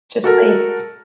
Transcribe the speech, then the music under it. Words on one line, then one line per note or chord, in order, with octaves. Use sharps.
just saying
F#4 A4 A#4